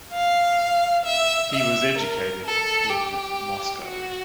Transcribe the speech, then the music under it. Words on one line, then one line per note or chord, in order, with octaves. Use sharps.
He was educated in Moscow.
F5
E5
E5
A#4
A4
G4
F#4